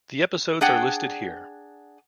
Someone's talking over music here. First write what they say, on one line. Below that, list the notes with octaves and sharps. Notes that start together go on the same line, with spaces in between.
The episodes are listed here.
D4 G#4 F#5 G5